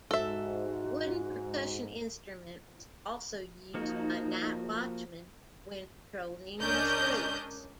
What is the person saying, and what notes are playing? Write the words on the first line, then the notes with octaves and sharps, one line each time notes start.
The wooden percussion instrument was also used by night-watchmen when patrolling the streets.
G#2 F#4 A4 E5
F3 A#3 D#4 F#4
C#2 C#4 D4 A#4 D#5 G6